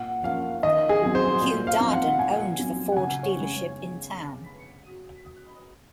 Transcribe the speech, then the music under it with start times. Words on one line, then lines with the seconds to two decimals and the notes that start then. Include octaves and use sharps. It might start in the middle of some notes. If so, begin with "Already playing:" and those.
Hugh Darden owned the Ford dealership in town.
Already playing: A#2 F#5
0.24 F3 A#3 C#4 F5
0.63 D#3 D#5
0.89 G#4
1.02 F#3 C4
1.15 C5
1.41 A#2
1.67 F5
1.80 F3 C4
1.93 F#5
2.19 A#2 G#5
2.58 F#3 C4
2.92 F#5
2.97 C#3 G#5
3.23 C#5
3.36 G#3 C#4